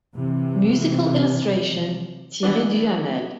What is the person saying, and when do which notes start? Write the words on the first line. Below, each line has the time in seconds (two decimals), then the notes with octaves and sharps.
Musical illustration: Thierry Duhamel.
0.15 C3 E3
2.43 E3 B3 D4